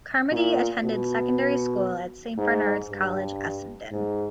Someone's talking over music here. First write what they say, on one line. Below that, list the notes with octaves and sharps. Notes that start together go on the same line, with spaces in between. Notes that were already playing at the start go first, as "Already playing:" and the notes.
Carmody attended secondary school at Saint Bernard's College Essendon.
A#2
B2
G#2
G2
G#2